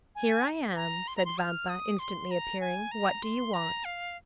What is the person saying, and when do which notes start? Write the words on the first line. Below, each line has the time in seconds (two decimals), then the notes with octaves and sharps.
"Here I am," said Vampa, instantly appearing; "what do you want?"
0.15 G#5
0.76 A#5
1.07 C6
1.16 A#5
1.25 C6
1.38 F6
1.69 D#6
1.99 C6
2.31 A#5
2.60 G#5
2.91 A#5
3.23 C6
3.53 A#5
3.85 F5